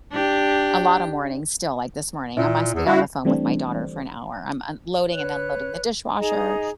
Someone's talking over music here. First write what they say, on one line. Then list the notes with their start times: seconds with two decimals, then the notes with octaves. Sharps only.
a lotta mornings still, like, this morning, I must have been on the phone with my daughter for an hour, I'm unloading and unloading the dishwasher,
0.12 D4 G4
2.37 A#2 E4
2.74 E2
2.86 G3 E4 F#4 F5
3.25 E3 G3 A3 C4 D4
5.12 B4 C#5 F#6
6.17 D#4 G#4 D#5 A#5